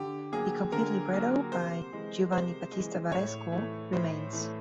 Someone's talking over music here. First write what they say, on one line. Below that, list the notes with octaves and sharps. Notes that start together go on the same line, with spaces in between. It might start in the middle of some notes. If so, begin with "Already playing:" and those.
The complete libretto by Giovanni Battista Varesco remains.
Already playing: D3 G4
F#3 A#3 G#4
D3 A#4
F#3 A#3
C3 C5
E3 G#3
C3 C5
E3 G#3
A2 C#5
E3 A3
A2 C5
E3 A3